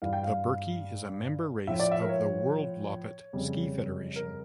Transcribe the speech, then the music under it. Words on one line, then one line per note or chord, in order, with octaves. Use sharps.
The Birkie is a member race of the Worldloppet Ski Federation.
G2 E3 G3 F5
G5
F5
A2 F3 E5
D5
E5
A#4
C#5
F2 C#3 G3
A#4